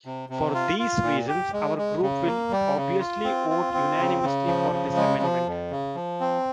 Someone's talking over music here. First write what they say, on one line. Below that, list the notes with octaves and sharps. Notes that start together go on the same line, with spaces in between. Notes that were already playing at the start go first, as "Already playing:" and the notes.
For these reasons our group will obviously vote unanimously for this amendment.
C3
C3
F4
F4
A#2
G4
G#3
G#3
C#3
A#3
G3
C#3
F4
C4
F4
C4
C#3
C#3
F3
C#3
G#3
F3
F2
C#3
F3
C4